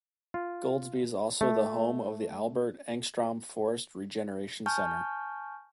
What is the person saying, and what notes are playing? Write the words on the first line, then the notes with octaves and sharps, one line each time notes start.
Goldsby is also the home of the Albert Engstrom Forest Regeneration Center.
F4
A3
G#5 A5 C#6 F6 G6